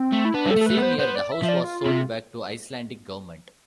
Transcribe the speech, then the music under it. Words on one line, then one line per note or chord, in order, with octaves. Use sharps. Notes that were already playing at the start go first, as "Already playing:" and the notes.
That same year the house was sold back to the Icelandic government.
Already playing: C4
A3
E4
B3 D4
G3
A4
A3
A4
A3 B4
B3
C5
B3 C5
D5
E5
F3
D5
F4
C3 F4